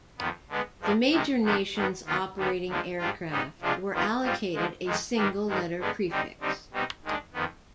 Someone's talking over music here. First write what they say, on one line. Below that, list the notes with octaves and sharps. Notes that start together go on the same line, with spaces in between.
The major nations operating aircraft were allocated a single letter prefix.
F2 D#3 B3
D3 G#3 B3
G2 F3 G#3 D4
C3 D#3 G#3
F2 C3 D#3 B3 D4
G2 D#3 B3
D#2 D#3 B3 F4
D#2 D3 G3 B3
D#2 D3 F3 G#3
G#2 G3 D4 F4
G#2 G3 B3 D#4
C3 F3 G#3 D4 F4
F2 D#3 B3 F4
G#2 G3 C4 F4
D3 F3 G#3
F2 D#3 G#3
G2 D#3 G3 D4
G2 D#3 G#3
G2 D3 G#3 B3
D3 G3 C4 D#4
D3 G3 C4 D#4
B2 G3 C4 D#4
D#2 D#3 G#3 D4
F2 D#3 B3